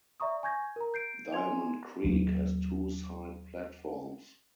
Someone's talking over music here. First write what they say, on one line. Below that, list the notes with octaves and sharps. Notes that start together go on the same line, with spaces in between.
Diamond Creek has two side platforms.
D5 E5 A#5 C#6 D#6
G#5 C#6 G6 G#6 A#6
A#4 A#5
G6 C7 D7
G#5 C6 G#6 F7
D#2 F#3 A#3